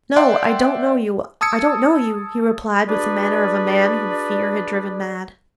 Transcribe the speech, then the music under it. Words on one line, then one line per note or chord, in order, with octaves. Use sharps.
'No, I don't know you--I don't know you,' he replied, with the manner of a man whom fear had driven mad.
D5 E5 F#5 G5 C6
A5 D#6 E6 G#6 C#7
D4 F#4 G#4 B4 D5